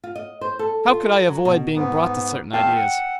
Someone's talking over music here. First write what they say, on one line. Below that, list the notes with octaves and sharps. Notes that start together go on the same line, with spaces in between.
How could I avoid being brought to certain ideas?
F4
D#5
C5
A4
F4
F#3
B2
G#2 B3
E2 F5 G5 A5 E6
F#5